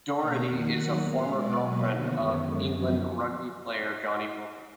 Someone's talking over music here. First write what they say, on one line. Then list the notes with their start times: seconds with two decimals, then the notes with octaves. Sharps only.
Dougherty is a former girlfriend of England rugby player Jonny Wilkinson.
0.16 B2 A#3 A#5
0.45 F2 D#3 A#3 F#5
0.73 D#2 D#3 F#3 A#3
1.01 A#2 G#3 B3 F5
1.30 B2 G#3 B3 D5
1.58 B2 F#3 A#3 B4
1.86 D#2 D3 F3 B3 F#4
2.14 F#2 D#3 G#3 B3
2.43 F#2 D3 G#3
2.71 F#2 F3 B3